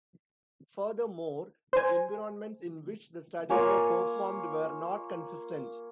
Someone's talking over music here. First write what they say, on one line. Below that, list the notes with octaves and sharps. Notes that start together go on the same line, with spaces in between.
Furthermore, the environments in which the studies were performed were not consistent.
C5 G#5
A#3 F4 C#5 G#5